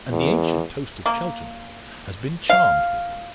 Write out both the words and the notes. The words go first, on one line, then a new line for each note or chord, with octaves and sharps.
And the ancient toast of Cheltenham has been charmed with him.
E2
A#3
F5